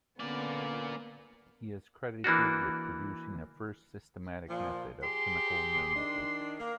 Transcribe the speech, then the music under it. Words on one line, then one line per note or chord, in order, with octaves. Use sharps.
He is credited with producing the first systematic method of chemical nomenclature.
D3 A#3 B3 C#4 D5
E3 A#3 D4 F#4
A#2 F3
G4 G#4 C6
D#3 D4
A#3 A#4